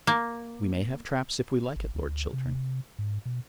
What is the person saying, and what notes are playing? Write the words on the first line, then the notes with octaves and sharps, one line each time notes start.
"We may have traps if we like it, Lord Chiltern."
A#3
G#1
D2
C3
G#2
B2